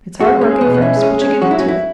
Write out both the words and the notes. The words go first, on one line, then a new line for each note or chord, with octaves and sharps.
It's hard work at first, but you get into it.
G#3 F#4
G#3 C#4
G#4
B3
B2
B3
C#4 E4
G#3
C#4
G#3
G#3 C#4
F#3 F#4
E4
C#4 F#4
E4